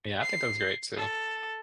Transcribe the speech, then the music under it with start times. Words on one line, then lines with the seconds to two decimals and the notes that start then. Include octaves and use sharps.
Yeah, I think that's great too,
0.21 C7
0.96 A4